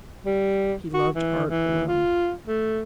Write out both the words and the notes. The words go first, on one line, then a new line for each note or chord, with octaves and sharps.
He loved art alone.
G3
F#4
E3
E3
F4
A3